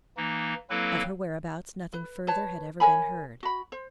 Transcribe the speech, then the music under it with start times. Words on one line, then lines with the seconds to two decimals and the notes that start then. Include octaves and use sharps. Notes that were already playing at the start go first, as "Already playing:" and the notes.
Of her whereabouts nothing further had ever been heard.
0.17 E3 A#3 D#4
0.70 F#3 A#3 C4 E4 A4 B4
1.93 B4
2.27 B4 C#5 A5
2.80 A#4 C#5 G#5 B5
3.43 F#4 B5
3.72 C5